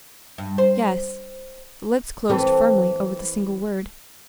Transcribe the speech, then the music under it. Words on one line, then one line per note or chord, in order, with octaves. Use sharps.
"Yes." The lips closed firmly over the single word.
G2
C5
E3 C4 A4